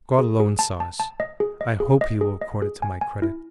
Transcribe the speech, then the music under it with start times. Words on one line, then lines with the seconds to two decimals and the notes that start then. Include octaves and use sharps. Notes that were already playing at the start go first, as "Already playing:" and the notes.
God alone saw us, I hope He will record it to my credit.
0.19 G#4
0.40 G#4
0.59 A5
0.80 A5
1.00 A5
1.20 D#5
1.40 G#4
1.61 D#5
1.80 G#4
2.01 D#5
2.21 G#4
2.41 D#5
2.62 G#4
2.82 G#5
3.01 G#5
3.22 E4